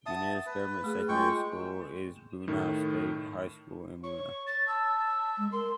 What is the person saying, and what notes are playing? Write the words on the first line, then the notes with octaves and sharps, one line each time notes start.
The nearest government secondary school is Boonah State High School in Boonah.
E5 F#5 A5 D#6
B4
A3 G#4
G#3 F4 G5 C#6
A2 D#3
C#5 C#6
A6
A5 E6
G#3
A#4 C6